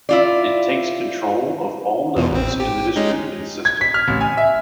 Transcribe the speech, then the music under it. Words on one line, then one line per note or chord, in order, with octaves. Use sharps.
It takes control of all nodes in the distributed system.
E4 F4 D5
E2 B2
A1 C4
G4
G#3 C#4 D#4
G#6
B6
F6
A1
G#5
E5